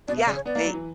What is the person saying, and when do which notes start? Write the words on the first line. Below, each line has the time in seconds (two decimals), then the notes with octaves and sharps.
Yeah, they
0.08 B2 D5
0.17 E5
0.26 C#3 D5
0.36 C#5
0.46 B3 D5
0.55 A#3
0.65 F#3
0.74 E3